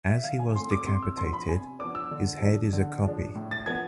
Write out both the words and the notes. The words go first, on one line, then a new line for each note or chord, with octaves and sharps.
As he was decapitated, his head is a copy.
E5
D3 F5
G#5
A3 C4 C6
D6
C3 C6
E6
F3 B3 D4 C6
B5
C3 G#5
F3 B3 D4 D6
E6
D3
F3 G#3 D4
D3
F3 G#3 D4
A2
A6
F3 B3 D4 G#6